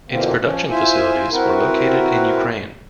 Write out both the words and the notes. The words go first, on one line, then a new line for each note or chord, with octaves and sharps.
Its production facilities were located in Ukraine.
F2 B2 D3 E3 A#3 C4
F3 C#4
E4 F4 C5 E5 G#5
C4 E4 F#4 A#4 B4